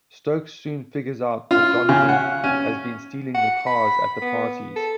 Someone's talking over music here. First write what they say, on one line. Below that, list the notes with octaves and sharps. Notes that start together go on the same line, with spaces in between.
Stokes soon figures out that Donovan has been stealing the cars at the parties.
F4
C#3
F#5
C#4
F#5
B5
B3
A4